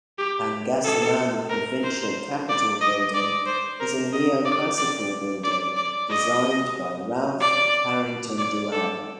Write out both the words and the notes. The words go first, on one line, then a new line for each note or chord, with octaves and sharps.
Pangasinan Provincial Capitol Building is a neoclassical building designed by Ralph Harrington Doane.
G4
A4
A#4
C5
D5
D#5
D5
C5
A#4
D#5
D5
D5
D5
D5
D#5
D5
D5
A4